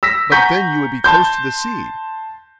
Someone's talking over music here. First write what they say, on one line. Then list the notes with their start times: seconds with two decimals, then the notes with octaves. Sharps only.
"But then you would be close to the sea?"
0.03 E6 A#6 B6
0.32 F#5 G#5 A#5 C#6 G6 B6
1.04 A5 C6 G6